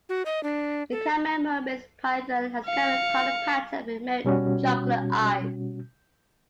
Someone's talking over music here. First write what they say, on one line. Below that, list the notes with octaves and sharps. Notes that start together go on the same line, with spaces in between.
The caramel Burmese python has caramel-coloured pattern with "milk-chocolate" eyes.
F#4
D#5
D4
A4
F5 C#7
B2 G3 C#4 F#4